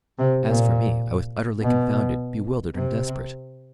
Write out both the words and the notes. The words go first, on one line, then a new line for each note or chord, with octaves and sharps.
As for me, I was utterly confounded, bewildered, and desperate.
C3
A#2
B2
C3